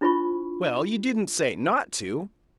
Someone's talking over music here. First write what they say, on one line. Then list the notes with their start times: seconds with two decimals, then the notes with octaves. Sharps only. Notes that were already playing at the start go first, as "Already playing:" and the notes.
"Well, you didn't say not to."
0.01 D4 E4 F4 C5 B5 C#6